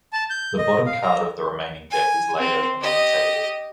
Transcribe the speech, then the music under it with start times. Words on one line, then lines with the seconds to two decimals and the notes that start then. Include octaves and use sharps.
The bottom card of the remaining deck is laid open on the table.
0.13 A5
0.30 G6
0.58 D#5
0.86 F5
1.02 A#5
1.90 G#5
2.39 C4
2.81 G4 D#5